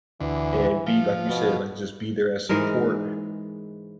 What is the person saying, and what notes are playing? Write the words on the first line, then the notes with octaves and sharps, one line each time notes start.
and be like you said, like just be there as support,
D2 E3
F3
B2
G#2 E3 G#3 A#4